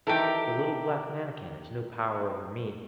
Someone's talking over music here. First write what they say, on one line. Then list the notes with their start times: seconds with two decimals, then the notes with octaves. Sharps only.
The little black Mannikin has no power over me.'
0.07 D#3 E3 G4 A4 A#4